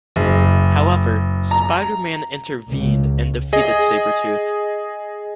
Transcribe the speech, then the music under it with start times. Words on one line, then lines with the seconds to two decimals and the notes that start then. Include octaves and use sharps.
However, Spider-Man intervened and defeated Sabretooth.
0.16 F#1
1.51 A#5
2.68 C#2
3.53 G#4 D#5